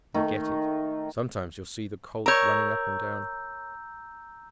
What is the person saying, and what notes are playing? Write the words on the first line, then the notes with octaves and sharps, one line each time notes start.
They get it. Sometimes you'll see the colts running up and down.
D#3 A3
A#4 C#5 A#5 E6 G6